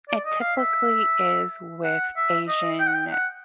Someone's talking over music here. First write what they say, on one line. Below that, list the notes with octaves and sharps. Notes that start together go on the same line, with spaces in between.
It typically is with Asian,
D5
D#5
F5
E5
F#5
E5
D#5
G5
F#5
G5
F#5